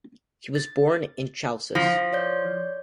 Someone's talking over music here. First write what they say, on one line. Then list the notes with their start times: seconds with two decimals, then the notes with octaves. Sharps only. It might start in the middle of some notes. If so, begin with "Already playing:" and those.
He was born in Chalcis.
0.55 A6
1.75 F3 A#6
2.13 C#5 D5 G6